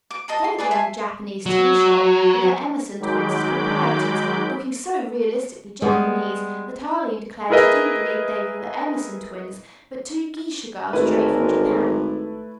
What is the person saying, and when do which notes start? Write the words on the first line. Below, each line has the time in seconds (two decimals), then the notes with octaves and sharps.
Then came the Japanese tea shop, with the Emerson twins as proprietors, looking so realistically Japanese that Arline declared she didn't believe they were the Emerson twins, but two geisha girls straight from Japan.
0.11 D6
0.28 D#5 A5 A#5
0.44 C6
0.58 G#4 B4 D5
0.71 E5 G#5 A5 C6
1.46 F#3
2.99 D#3 F#3 G#3 B5 D6 G6
5.82 G3 G#3 B3
7.50 E4 G#4 A#4 B4 D#5 E5
10.93 G#1 D2 A2 G#3 A3 E4 A#4 B4